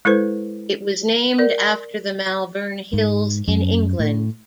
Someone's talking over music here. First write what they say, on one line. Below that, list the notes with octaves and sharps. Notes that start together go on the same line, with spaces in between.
It was named after the Malvern Hills in England.
G#3 E4 A4 B4 C5
A#4 D5
G#2
F#2
A2